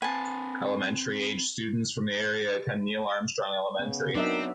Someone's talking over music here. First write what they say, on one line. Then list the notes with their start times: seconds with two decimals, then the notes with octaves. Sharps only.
Elementary-aged students from the area attend Neil Armstrong Elementary.
0.02 C4 B4 G#5 A5
3.79 C#3 B3
4.15 F#3 B3 C4 D4 D#4 A#4 E5